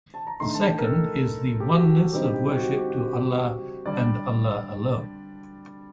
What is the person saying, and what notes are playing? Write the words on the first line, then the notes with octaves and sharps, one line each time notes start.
The second is the oneness of worship to Allah and Allah alone.
A5
A#5
D3 A3 D#4 C6
A5
G5
A#4
A4
G4
F#4
D3 G3 C4 D#4 G4
G4
G4
G4
F#4
G4
F#4
G4
D3 G3 D4 D5